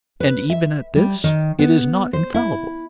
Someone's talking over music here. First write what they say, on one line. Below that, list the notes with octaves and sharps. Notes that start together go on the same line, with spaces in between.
And, even at this, it is not infallible.
B4
E5
G3
D#3
B3
C5
E4